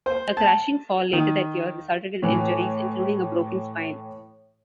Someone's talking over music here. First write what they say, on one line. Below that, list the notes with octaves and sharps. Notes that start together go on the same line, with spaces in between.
A crashing fall later that year resulted in injuries including a broken spine.
C5
A5
D#3
A2 E3